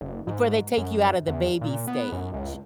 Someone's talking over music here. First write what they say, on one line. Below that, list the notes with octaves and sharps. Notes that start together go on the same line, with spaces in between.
Before they take you out of the baby stage
F#1
G#2
F#2
E2
A#2
B3
F#2
C#2